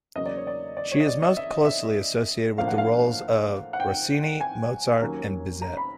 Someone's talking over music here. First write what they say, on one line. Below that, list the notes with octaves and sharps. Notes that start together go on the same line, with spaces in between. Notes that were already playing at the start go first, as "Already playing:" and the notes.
She is most closely associated with the roles of Rossini, Mozart, and Bizet.
E2 C#3 F#3 A#3 D#5
D5
C#5
D5
D5
C#5
D#5
D5
D#5
E5
D#5
E5
A2 F3 A#3 D4 F5
F#5
F5
F#5
G5
G#5
D#2 D#3 F#3 A#3 C#4
A#5
B5